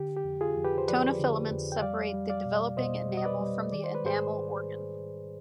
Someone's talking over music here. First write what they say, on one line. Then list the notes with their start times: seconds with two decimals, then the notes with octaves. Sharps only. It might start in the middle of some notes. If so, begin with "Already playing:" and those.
Tonofilaments separate the developing enamel from the enamel organ.
Already playing: D3 G4
0.17 G4
0.24 F2
0.41 F4 G#4
0.56 F2
0.65 G4 B4
0.78 C5
0.88 F3 B4 D5
1.20 D3
1.51 F2
1.72 G5
1.82 G3 D5 F5
2.14 G3
2.30 D5 F5
2.45 B2
2.77 B2 C5 D#5
3.09 G3
3.17 D#5
3.25 B4 D5
3.41 G3
3.72 D#3 D5
3.84 C5
3.95 B4
4.04 G#2 G#4 C5